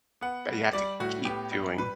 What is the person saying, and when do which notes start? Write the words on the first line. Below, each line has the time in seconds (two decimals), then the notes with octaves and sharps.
That you have to keep doing.
0.21 B3 F#5
0.48 G3
0.73 G3 D5
1.00 A2 F#4
1.25 B3 G4
1.52 G3
1.78 G3 B4